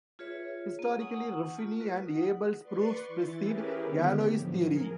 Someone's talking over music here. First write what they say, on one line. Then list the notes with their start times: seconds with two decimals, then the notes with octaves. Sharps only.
Historically, Ruffini and Abel's proofs precede Galois theory.
0.19 F4 G#4 B4 C#5 E5
0.79 A#3
0.98 F#5 G#5 A#5 C#6 D#6 E6
1.59 A3 F4
1.80 F#4 A#4 B4
2.06 F#5 D#6
2.61 B4 D5 C6 C#6
3.07 E3 E4 A6
3.38 C#4 E4 G4 G#4 A#4 B4
3.81 D3 D#3 G3 B3 G4
4.30 A2 F3 F#3
4.59 G#4 A#4